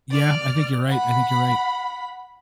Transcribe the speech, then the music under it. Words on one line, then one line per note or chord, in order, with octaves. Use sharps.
Yeah, I think you're right, I think you're right.
D5 F6
F#5 B5